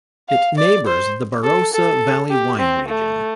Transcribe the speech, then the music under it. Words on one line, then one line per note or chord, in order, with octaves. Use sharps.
It neighbours the Barossa Valley wine region.
F5
D5
C5
A4
A4
G4
C4
A3